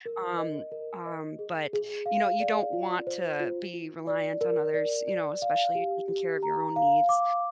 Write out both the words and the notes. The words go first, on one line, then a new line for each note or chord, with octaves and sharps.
Um um, but, you know, you don't want to be reliant on others, you know, especially taking care of your own needs.
A#4
D#5
A#4
D#5
G#4
G#4
F5
D5
F4
C5
F4
F4
D5
A#4
D5
D5
F5
G4
G4
A#5
F5
D6